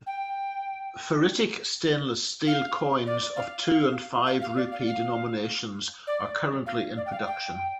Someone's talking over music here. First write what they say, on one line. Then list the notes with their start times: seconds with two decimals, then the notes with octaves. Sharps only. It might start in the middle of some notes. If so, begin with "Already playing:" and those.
Ferritic Stainless Steel coins of Two and Five Rupee denominations are currently in production.
0.06 G5
2.47 F5
3.06 D5
3.36 F5
3.67 F5
4.26 F5
4.41 F5
4.56 D5
4.71 F5
4.87 F5
6.07 D5
6.66 F5
6.97 D5
7.06 G5
7.12 F5
7.27 G5